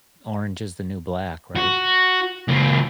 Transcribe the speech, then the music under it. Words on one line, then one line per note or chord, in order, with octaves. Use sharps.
Orange Is the New Black, right?
F#4
C#2 A#3